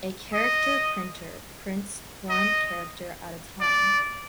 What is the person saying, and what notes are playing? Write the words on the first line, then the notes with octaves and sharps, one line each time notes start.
A character printer prints one character at a time.
D#5
D#5
D5